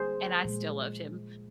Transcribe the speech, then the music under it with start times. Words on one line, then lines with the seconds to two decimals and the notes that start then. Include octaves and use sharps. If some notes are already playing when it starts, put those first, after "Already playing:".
and I still loved him,
Already playing: D3 G3 A#3 G#4 C5
0.45 A#2 F3 G#3